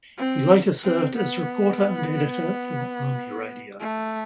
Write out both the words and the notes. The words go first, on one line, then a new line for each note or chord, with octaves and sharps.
He later served as reporter and editor for Army Radio.
C4
C4
B3
A3